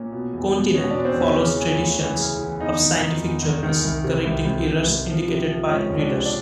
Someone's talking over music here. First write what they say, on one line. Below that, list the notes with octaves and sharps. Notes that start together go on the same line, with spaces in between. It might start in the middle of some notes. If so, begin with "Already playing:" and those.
Kontinent follows traditions of scientific journals correcting errors indicated by readers.
Already playing: A#2 C#4
B2
E2
B2
B2 C#4
B2 D4
C4
E2 C#4
C#3
E3
D2
E3
C#3
E3
E2 D#4
D#3
D#3
E2
D#3
D#3
C2
C3
C2
C2
C2
C2
F3
C3
F3
C#2 C#4
C#2
D4
C3
D4